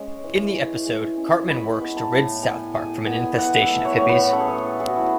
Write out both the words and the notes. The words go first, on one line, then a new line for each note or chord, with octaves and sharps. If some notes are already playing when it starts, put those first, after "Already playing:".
In the episode, Cartman works to rid South Park from an infestation of hippies.
Already playing: G#3 C#4
E3
E3
G#3
C#4
C#6
G#3 B5
B3
A5
A2
A2 G#5
G#3 G#5
B3 G#5
E3 F#5
E5
A3
C#5
A2 C#5
B4
C#4 A4
G#4
A4
E3
G#4
F#4
A3 E4